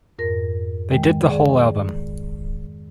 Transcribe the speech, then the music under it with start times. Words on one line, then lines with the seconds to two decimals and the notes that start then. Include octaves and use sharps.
They did the whole album.
0.19 F2 G#2 A#4 A#6
0.91 D#3 G#3 G5
1.28 G#4 D5